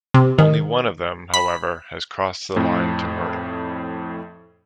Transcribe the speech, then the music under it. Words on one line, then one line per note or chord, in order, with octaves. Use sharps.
Only one of them, however, has crossed the line to murder.
C3
D#3
B5
F2 A2